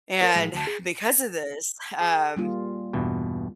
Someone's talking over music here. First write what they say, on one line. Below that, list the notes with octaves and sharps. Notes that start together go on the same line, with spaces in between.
and because of this, um,
A#4 C#5
A2 F3 G#3
D2 A5
G#4
G#4
G3 A#3 F4
E2 G2 B2